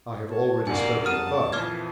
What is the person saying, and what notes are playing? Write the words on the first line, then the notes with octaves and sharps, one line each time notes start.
I have already spoken above.
C#5 A5
A#1 G#2 C3 A#3 F#4 D5 G#5
C#3 G3 F#5 A5 D#6 F6 D#7
F2 A#2 E3 F3 D6 F6 G#6